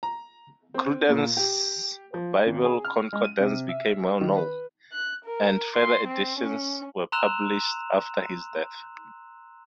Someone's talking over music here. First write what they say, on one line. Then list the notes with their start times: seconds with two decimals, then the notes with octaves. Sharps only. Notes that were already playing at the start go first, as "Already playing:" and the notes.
Cruden's Bible Concordance became well-known, and further editions were published after his death.
0.03 A#5
0.74 C4
1.09 A#2
1.37 G4
2.14 F3
2.47 G#1
2.64 G#4
2.85 F6
3.13 G#3
3.24 D#7
3.40 C3
3.69 E5
4.21 D#3
4.37 B4
4.92 F#6
5.25 A#4
5.75 C6
6.07 C4
6.39 C#4
7.12 A#5 C6 E6 F#6 E7 F7